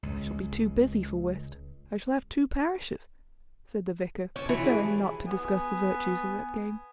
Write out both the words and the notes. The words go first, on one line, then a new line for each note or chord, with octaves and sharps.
"I shall be too busy for whist; I shall have two parishes," said the Vicar, preferring not to discuss the virtues of that game.
C#2
C#4 G5 A5
E3 F#3
G3 G#4 D5
B3 G#5